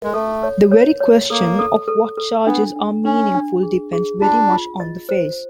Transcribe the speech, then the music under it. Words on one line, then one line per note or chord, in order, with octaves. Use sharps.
The very question of what charges are meaningful depends very much on the phase.
G#3
A3 A4
C#5
C#5
C#5
A#3 A4
A4
A4
A4
B3 D4
D4
C#4 D4
D4
G#4
G#4
D4 F4
F4
D#5
C5